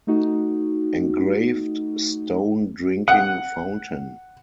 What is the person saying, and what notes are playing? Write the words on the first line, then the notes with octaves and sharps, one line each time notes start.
Engraved stone drinking fountain.
A3 D#4 F#4
F#5